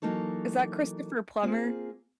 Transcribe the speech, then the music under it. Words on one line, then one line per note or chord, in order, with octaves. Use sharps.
Is that Christopher Plummer
E3 F#3 A#3 D#4 A4 C#5
A#3 C4 F4 G#4